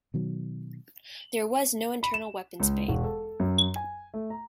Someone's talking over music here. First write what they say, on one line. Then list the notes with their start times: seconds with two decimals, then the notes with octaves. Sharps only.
There was no internal weapons bay.
0.14 B2 D#3 F#3
2.03 B5
2.14 E7
2.60 C#2
2.88 E1
3.04 A4
3.40 F#2
3.76 G#5
4.14 A3
4.30 A#5